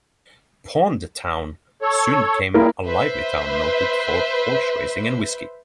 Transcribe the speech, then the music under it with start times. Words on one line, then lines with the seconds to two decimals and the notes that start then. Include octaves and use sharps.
Pond Town soon became a lively town noted for horse racing and whiskey.
1.82 A4 C#5
2.54 A#2 C#3 G3 A#3 E4 A#4
2.85 B4 C5 E5